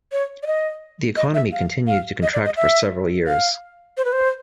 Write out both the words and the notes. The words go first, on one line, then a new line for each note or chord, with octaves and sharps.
The economy continued to contract for several years.
C#5
D5
D#5
D#5
E5
F5
F5
D#5
D5
D#5
E5
F5
C5
B4
C5